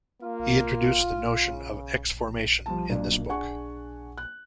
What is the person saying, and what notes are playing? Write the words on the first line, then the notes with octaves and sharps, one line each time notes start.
He introduced the notion of exformation in this book.
A#3 F4
C#3
F3 G3 A5
B1 A#2 D4 D5
D4 G#4 F#5 G#5 C#6
F#6